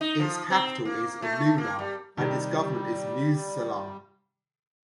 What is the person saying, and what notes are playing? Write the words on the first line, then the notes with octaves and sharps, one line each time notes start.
Its capital is Alula and its governor is Musse Salah.
D#4
F3
C4
A#3
A3
A#3
G3
C3 D#3 G3